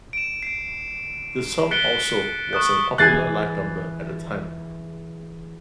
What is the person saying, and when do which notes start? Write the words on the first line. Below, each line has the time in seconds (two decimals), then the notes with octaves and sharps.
The song also was a popular live number at the time.
0.13 D7 E7
0.43 C7 D7
1.71 F#6 A6 B6 C#7 D7 G7
2.53 C#6 D#6 F#6
2.98 E3 G#4 G#5 F#6 A6 C7